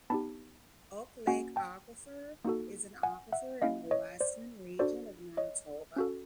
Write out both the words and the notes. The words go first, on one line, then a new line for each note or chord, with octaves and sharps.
Oak Lake Aquifer is an aquifer in the Westman Region of Manitoba.
B3 D#4 G4 A5 B5
A#3 C#4 F#4 F#5 G#5
G5 A5
A#3 D#4 F#4 A4
F#5 G#5
E5 F#5
A#3 C#4 E4 D#5 F5
C#5 D#5
C5 D5
D4 F#4 A4 C5 D5
C#5 D#5
C#4 F#4 A4